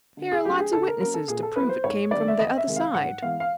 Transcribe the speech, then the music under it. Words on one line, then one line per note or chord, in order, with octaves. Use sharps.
"Here are lots of witnesses to prove it came from the other side."
D3
G#4
F#3 A3 D4 G4
G#4
D3 A4
A#4
F#3 A#3 C#4 A#4
A4
A#2 G#4
A4
F#3 B3 E4 B4
C5
G#2 C#5
D#3 G3 B3 D4 D5
E5
E2 D#5
E5
C3 D#3 G#3
F5
G#2 F#5
E3 G#3 B3 F5
F5